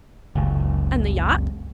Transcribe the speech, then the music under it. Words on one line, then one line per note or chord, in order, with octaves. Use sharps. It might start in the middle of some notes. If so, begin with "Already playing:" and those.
"And the yacht."
F#1 C#2